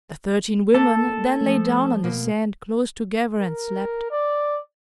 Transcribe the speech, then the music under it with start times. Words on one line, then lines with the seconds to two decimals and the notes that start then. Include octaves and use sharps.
The thirteen women then lay down on the sand close together, and slept.
0.74 A#3 A4 A5
1.41 F3 A3
2.04 B2 A#3
3.41 A#4
4.11 D5